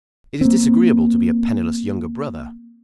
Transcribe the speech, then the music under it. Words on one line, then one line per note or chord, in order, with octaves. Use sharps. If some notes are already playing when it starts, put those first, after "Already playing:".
It is disagreeable to be a penniless younger brother.
A#3 C4